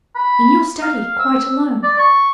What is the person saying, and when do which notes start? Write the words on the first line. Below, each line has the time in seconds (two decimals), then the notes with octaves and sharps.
'In your study, quite alone.
0.15 B5
0.83 F5
1.19 E6
1.83 D5
1.99 C#6